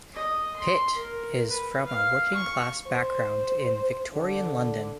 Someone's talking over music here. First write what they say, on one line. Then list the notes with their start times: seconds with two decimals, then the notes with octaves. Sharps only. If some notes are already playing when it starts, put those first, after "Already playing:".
Pitt is from a working-class background in Victorian London.
0.14 D#5
0.56 C6
0.96 A#4
1.50 B4
1.86 F5
2.35 C#6
2.87 C5
4.13 D3